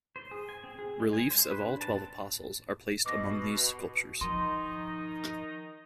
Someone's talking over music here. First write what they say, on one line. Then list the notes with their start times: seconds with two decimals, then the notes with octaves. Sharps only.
Reliefs of all twelve apostles are placed among these sculptures.
0.16 C5
0.31 G#4
0.49 G#5
0.64 C4
0.79 G#4
1.00 G#3
1.13 G#5
1.30 C5
1.50 B4
1.65 D4
1.81 A5
1.96 C4
3.06 B2 D6 A#6
4.21 D#3 F3 D#4 C6